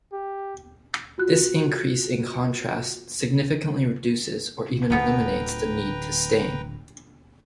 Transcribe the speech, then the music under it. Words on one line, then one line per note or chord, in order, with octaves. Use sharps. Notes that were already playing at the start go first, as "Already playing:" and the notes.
This increase in contrast significantly reduces, or even eliminates the need to stain.
G4
F4 F#4 F#6
D1 D2 F3 B3 B4 G5 A#5